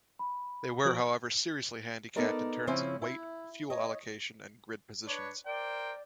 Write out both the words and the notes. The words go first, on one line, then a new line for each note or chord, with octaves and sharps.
They were however seriously handicapped in terms of weight, fuel allocation and grid positions.
B5
F3 F#4 A#4
B3 D#4 A4 A#4 D5
C#3 F3 C4 C#4 E4
E4
C#5 D#5
D4 B4 C#5
A#4 C5 D5 G5